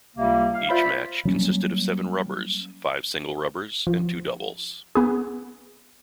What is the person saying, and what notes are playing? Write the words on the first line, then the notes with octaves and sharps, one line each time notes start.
Each match consisted of seven 'rubbers': five singles rubbers and two doubles.
C#2 C3 G3 A#3
F5
F4 C5 D5 E5 B5
F#3 G3 A#3 C#4
F3
B3 G#4